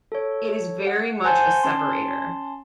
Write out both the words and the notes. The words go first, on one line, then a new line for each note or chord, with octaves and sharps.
it is very much a separator.
A4 C#5
F#5
C5 F#5 G#5 A5 C6 G6
C#4 A5 C6